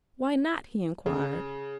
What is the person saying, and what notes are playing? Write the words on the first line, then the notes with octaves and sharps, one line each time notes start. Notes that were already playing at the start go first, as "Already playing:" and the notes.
'Why not?' he inquired.
C#3